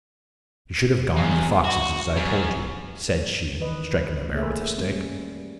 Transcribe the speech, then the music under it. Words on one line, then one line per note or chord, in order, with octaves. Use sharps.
'You should have gone to the foxes, as I told you,' said she, striking the mare with a stick.
E2
F#4
F#2
D#3 E3 B4 D#5
A3 A#3 G#4 A4 E5
G3 C#4